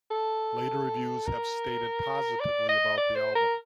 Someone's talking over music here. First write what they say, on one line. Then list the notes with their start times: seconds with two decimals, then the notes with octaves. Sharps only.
Later reviews have stated positively about the album.
0.11 A4
1.26 A#4
2.40 D5
2.69 D#5
2.98 D5
3.16 C5
3.35 A#4